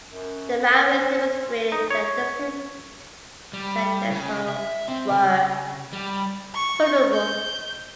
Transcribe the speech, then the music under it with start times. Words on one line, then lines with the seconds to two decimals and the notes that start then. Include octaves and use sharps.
The Maoists demonstrated that district centres were vulnerable.
0.10 F#2
0.82 C5
1.72 D#4
1.91 C#5
3.53 G3
4.11 C#3
4.49 E5
4.88 C4
5.10 C#3
5.93 G3
6.54 C#6
7.13 G6